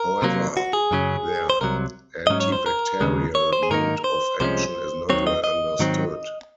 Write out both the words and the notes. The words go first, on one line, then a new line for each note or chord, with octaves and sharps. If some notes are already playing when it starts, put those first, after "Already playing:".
However, their antibacterial mode of action is not well understood.
Already playing: A#4
C3 F#3 A#3
F#4
G#4
F#2 C#3 F#3 C#4
C5
C2 C3 F#3 A#4
G#2 F#3 C#4 D#5
C#5
C5
A#4
D#2 C#3 G#3
C#5
C5
G#4
G#2 D#3 A#3 D#4 A#4
C5
C2 C3 F3 G#3 C#4 C5
D#2 D#3 F#3 C4 C#5
D#5
D#5
G#2 D#3 F#3 C4